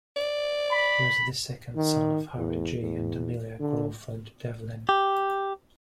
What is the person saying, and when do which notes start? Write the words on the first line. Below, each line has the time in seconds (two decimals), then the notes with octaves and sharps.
He was the second son of Harry G. and Amelia Crawford Devlin.
0.17 D5
0.71 B5
1.76 D#3
2.37 E2
2.81 E2
3.60 D3
4.89 G4